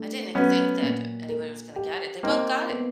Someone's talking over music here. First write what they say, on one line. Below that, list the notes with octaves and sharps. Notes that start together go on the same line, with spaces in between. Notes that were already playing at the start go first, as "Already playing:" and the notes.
I didn't think that anybody was gonna get it, they both got it
Already playing: A3 D4
F#3 B3 C#4
A#2
A#4
G4
A#3 C4 D#4
B3